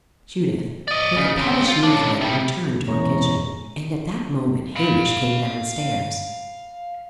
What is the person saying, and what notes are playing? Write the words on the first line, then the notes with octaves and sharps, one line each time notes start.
Judith, with a pettish movement, returned to her kitchen; and at that moment Hamish came downstairs.
D5 D#5
C#3
C#3 C4
F4
C#3 D4
C3 G3
E2 B2 G#3 C#4 C#5 A#5
F5 B5